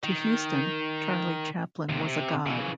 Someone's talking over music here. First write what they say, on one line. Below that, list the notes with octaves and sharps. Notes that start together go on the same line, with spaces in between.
To Huston, Charlie Chaplin was a god.
D#3
D#2 C3
C3
C#3 E3